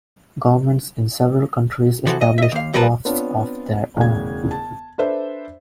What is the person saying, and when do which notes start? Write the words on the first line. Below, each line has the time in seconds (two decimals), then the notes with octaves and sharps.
Governments in several countries established lofts of their own.
2.06 C3 E3 F3 F#4 A4
2.21 D#5
2.38 D#5 E5
2.52 D#2 F5
2.73 F2 G3 A#4 B4 A5
3.05 B3 C4 D4 F4 C#5
3.97 E1 D2 C#3 G#6
4.51 A5
4.98 D4 A4 B4 C5 D5 E5